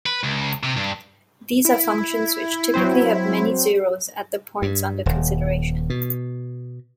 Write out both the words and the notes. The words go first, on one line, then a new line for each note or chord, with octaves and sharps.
These are functions which typically have many zeros at the points under consideration.
B4
C#2
C3
G2
E4
F#3 C4 C5
G2
D#1
B2